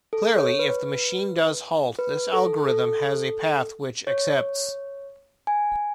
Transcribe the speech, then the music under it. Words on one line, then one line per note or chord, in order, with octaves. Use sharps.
Clearly, if the machine does halt, this algorithm has a path which accepts.
A4
C#5
B4
B4
A4
A4
C#5
G#5